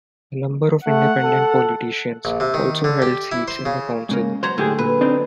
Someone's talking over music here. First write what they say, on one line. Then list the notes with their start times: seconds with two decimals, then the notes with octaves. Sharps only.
A number of independent politicians also held seats in the council.
0.86 A3 F#5
1.23 A4
2.25 A#1
2.40 C3
2.54 D#3
2.84 D3
3.02 G4
3.32 E4
3.48 C5
3.65 C#3
4.09 G#2 C#3 A#3
4.43 F#3 C5 C#5 A#5
4.58 A2 D3 G4 G#4
4.78 A#2 B4
5.01 C4 D4 D#4